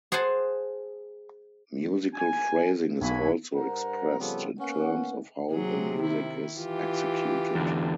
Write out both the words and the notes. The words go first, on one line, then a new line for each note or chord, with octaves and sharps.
Musical phrasing is also expressed in terms of how the music is executed.
G#4 C5 F#5 G#5 A5
G#5
B1 F#3 G#5 B5
G2 A#4 C5 F#5 A#5
C#3 F3 G3 B3 C4 A4
A#3 B3 C#4 F#5
C3 F#3 G#4
D#3 E4
E3 F4 G4
E2 D3